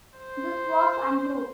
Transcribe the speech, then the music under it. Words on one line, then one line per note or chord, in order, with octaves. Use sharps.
This was untrue.
C5